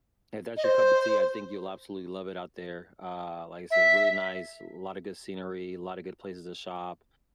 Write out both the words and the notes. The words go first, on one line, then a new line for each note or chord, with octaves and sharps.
if that's your cup of tea, I think you'll absolutely love it out there, uh, like I says, it's really nice, a lotta good scenery, a lotta good places to shop,
D#5
C5
E5